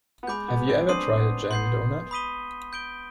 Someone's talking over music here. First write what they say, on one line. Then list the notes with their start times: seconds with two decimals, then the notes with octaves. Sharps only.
Have you ever tried a Jam Donut?
0.23 B3
0.27 G#3 G#5 B5 D6 G6
0.48 B3
0.69 C4
0.89 D4 C6 D#6 G6 C7 D#7
1.20 B3
1.50 B3 C6 G6 C7
2.11 B5 D#6 B6 D#7 G7
2.73 G6 D7 G7